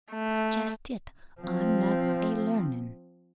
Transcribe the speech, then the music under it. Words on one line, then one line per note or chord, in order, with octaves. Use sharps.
"That's just it--I'm not a-learnin'!"
A3
F3 C4